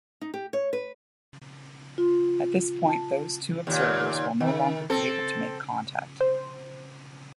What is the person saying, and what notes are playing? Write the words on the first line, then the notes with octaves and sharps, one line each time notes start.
At this point those two observers will no longer be able to make contact.
D#4
G4
C#5
B4
F4
A5
D#2 A#2
D#3
C4 A4
C5